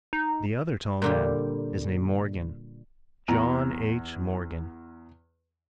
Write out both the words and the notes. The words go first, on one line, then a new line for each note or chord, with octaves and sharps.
The other tall man is named Morgan, John H. Morgan.
D#4
A#2 D3 G3
E2 A#5